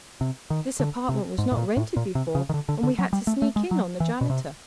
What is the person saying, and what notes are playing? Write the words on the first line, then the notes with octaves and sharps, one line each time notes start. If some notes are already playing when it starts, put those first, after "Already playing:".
This apartment was not rented before and we had to sneak in on the janitor.
C3
D#3
D3
C3
G#2
A2
A#2
A2
A#2
C3
C#3
D#3
D3
D3
D3
F#3
G3
A3
A3
G#3
F#3
E3
B2
C3